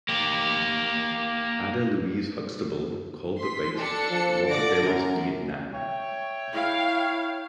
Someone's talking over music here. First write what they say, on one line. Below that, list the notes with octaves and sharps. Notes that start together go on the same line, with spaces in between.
Ada Louise Huxtable called the fight "Rockefeller's Vietnam".
A#3 G4
C6 B6
D4 A4 C#7
F3
D3 D5 A#6 D7
F#2 A#4
C#5 E5 G5
E4 F5